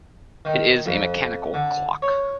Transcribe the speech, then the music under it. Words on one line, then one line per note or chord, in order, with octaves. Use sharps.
It is a mechanical clock.
D#3
F2
D3
C#5